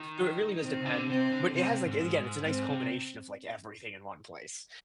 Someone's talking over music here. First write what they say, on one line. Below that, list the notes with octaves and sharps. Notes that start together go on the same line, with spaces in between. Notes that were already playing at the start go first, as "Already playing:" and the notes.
so it really does depend, but it has, like, and again, it's a nice combination of, like, everything in one place.
Already playing: D#3
D#4
D#3 C4
C3
D3
C3 C4
D3
C3 C4
C3
G#2
G#2 G#3
G#2
G#2 C4
C3